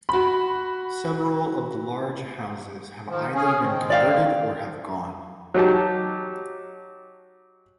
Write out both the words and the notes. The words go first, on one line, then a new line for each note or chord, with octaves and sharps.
Several of the large houses have either been converted or have gone.
F#4 B5
D#3 F3
C#4 G#4
D#3 C4
D5 F5 G5
F#3 D#4 G4 A5